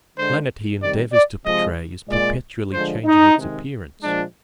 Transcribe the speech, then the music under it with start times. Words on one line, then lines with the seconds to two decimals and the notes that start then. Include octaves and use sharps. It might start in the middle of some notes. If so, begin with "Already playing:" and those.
The Planet he endeavours to portray is perpetually changing its appearance.
0.15 D3 G#3 C5
0.80 C3 D#3 G3 D5
1.11 D5
1.44 C3 F3 G#3 D#5
2.08 A#2 G#3 D5
2.72 D3 F3 G#3 C5
3.04 D#4
3.36 C3 D#3 G#3
4.00 A#2 F3 G#3 D4